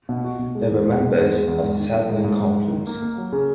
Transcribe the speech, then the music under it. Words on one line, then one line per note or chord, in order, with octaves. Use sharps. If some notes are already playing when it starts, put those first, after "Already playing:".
They were members of the Southland Conference.
B2
F#4
B2
G#3
E2
G#3
B2
E2
G#3
E2
G#2
D#3
F#3
G#2
G#2
G#2
G#2
D#3
A#3
A#3
F#3
C#3